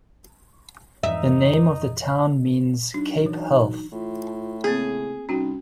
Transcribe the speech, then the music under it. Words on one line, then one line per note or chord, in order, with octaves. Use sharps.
The name of the town means "Cape Health".
F2 G#2 E3 D#4 E5
F#3 D4 D#4
E3
A2 F4
C#3 A#3 C4 G#4
C2 C#4 D#4 F#4 G5